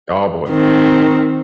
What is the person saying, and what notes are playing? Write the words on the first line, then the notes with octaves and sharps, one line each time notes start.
Oh, boy. Yeah.
D#3 C4